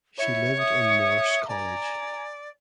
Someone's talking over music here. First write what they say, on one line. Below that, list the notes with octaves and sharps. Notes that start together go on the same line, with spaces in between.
She lived in Morse College.
E4 C#5 E5
E5 D#6
D5 G#5 A#5